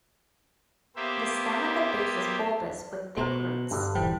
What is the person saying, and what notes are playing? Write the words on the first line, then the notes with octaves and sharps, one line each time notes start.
The stem at the base is bulbous, with thick roots.
A#3 B3 G4 C5 E5
B2 C5 A#5 C6
G2 D3
D#1 E3 G3 C5 G5